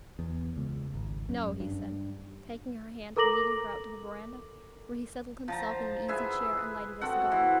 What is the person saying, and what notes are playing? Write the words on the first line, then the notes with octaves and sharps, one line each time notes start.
"No," he said, taking her hand and leading her out to the veranda, where he settled himself in an easy-chair and lighted a cigar.
E2
C#2
G#1
F#2
G2
A4 A#4 A#5 D6 A#6 F#7
F3 A5 A#5
G#4 B4 E5 G#5
C4 F#4 A4 F#5
E3